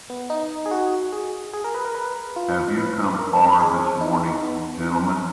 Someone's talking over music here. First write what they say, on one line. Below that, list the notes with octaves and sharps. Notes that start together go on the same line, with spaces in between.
Have you come far this morning, gentlemen?
B3
D#4
G#4
F#4
G#4
G#4
A#4
B4
A#4
B4
F4
B4
A#4
G#4
D#4
B3